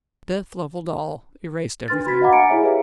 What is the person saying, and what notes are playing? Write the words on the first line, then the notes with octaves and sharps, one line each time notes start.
Death levelled all, erased everything.
D4 B4 C6 F6 A6
F#4 B5 G#6 A6 B6
D#5 F5 F#5 A#5 D6
G#5 A#5 C#7 D7
E4 G#4 C#5 E5
G4 B4 E5 F5